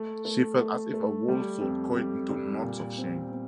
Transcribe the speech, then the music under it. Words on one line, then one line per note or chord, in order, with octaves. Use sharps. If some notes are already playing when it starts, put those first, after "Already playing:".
She felt as if her whole soul coiled into knots of shame.
Already playing: A3
A3
A3
A3
G3
F2
G3
G3
A#2
C4
C4